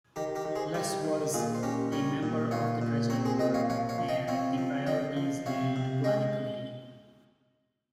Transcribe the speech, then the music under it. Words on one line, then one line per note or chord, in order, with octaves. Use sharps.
Les was a member of the Treasury Board and the Priorities and Planning Committee.
D#3 G4 A#4
G4 A#4
D#3
G#4 C5
G3 G4 A#4
D#3
A#2 F4 G#4
C5
C#4 G4 A#4
G3 A#4 C#5
A#2
A#2 C#5 F5
A#2
C4 A#4 C#5
G#4 C5
A#2 D#5 G5
C#5 F5
F3 C#5 F5
C#5 F5
F3
D#5 G5
C4 C#5 F5
F3
F3 D#5 G5
F3
C3 C#5 F5
C3
G#3 D#5 G5